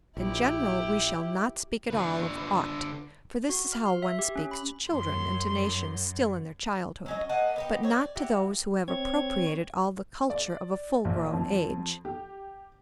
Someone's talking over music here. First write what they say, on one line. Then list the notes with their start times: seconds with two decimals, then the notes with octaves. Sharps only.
In general, we shall not speak at all of "ought," for this is how one speaks to children and to nations still in their childhood, but not to those who have appropriated all the culture of a full-grown age.
0.17 A#1 E4 G4
1.90 D3 B4
3.49 F#4
3.72 F6
3.85 C6
4.02 E5
4.19 G4
4.36 C#4
4.51 B5
4.92 F#2 C6
7.06 F#3 C#4 D#5
7.29 A#3 D#5 F#5 A5
7.56 B3 D#4 G4
7.83 C4 C#5
7.96 D5
8.16 E4 F#4 G4
8.88 C4 C#5 G#6
10.30 D5
11.05 A#1
11.33 F2
12.05 G4